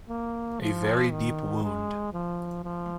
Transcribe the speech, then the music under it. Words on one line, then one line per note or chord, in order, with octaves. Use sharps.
A very deep wound.
A#3
F3
D#3
G#3
F3
F3